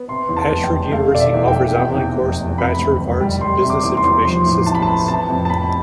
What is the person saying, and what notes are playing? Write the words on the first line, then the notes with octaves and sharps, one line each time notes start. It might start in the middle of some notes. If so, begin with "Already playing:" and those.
Ashford University offers online course in Bachelor of Arts in Business Information Systems.
Already playing: B3
C3 C6
E2
A5
F1
G5
F1
A3 F5
B2 D5
E5
E2
G5
E2
C3 G5
E2
F1
F1
C3 B5
D2
E1
G3
G3 C6
C3
D6
E2
C6
E2
F3 C6
A2
A1 A5
B5
A5
B3
C3 A5
F2
A5
F1 B5